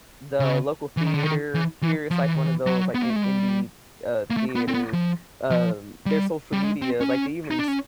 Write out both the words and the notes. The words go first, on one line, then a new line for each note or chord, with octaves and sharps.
the local theater here it's like one of those, like, i indie, uh, theaters. Um, their social media like, they even s m
C#3
E3
D#3
D3
D#3
E3
E3
F3
E3
D#3
E3
F#3
B3
A#3
A3
G#3
G3
A#3
A3
B3
C4
B3
F3
F3
G3
G3
G#3
C4
C#4
D#4
D4
C#4